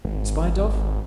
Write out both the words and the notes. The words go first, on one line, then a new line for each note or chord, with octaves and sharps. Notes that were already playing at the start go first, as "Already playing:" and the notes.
In spite of?
G#1